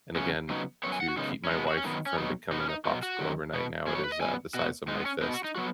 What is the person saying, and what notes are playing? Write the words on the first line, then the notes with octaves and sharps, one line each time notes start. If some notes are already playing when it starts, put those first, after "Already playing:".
And again, to keep my wife from becoming a popsicle overnight, now, it is, uh, the size of my fist,
F#2 C#3 B3 C#4
C#3 F#3 B3 D#4
F#2 F#3 B3 C#5
G#5
F#5
F#4
F#2 C#3 G#3 B3 D#4
C#4
B2 G#3 B3 D#4
F#4
C#4
F#2 D#3 F#3 B3 D#4
C#4
B2 F#3 B3 D#4
B2 B3 D#4
C#4
D#4
B2 F#3 B3 D#4
F#4
F#2 D#3 F#3
B2 B3
B2 F#3 B3 G#4
C#5
B4
D#5
F#2 C#3 B3 G#5
B2 B3 F#4
G#2 G#3 B3 D#4
C#4
B2 B3 D#4
F#4
D#4
F#3 B3 F#4